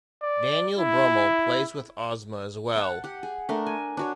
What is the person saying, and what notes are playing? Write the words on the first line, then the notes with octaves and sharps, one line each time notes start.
Daniel Brummel plays with Ozma as well.
D5
E4
F#5 A5
G4 F#5
G#4
A3 D4 A#4
G#5
D4 F#4 C#5